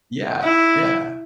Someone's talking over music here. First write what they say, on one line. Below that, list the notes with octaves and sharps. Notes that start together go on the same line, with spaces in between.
Yeah, yeah.
E4